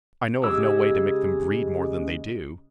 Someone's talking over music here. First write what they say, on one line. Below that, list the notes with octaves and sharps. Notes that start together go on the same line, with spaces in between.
I know of no way to make them breed more than they do.
C#3 G#3 G4 E6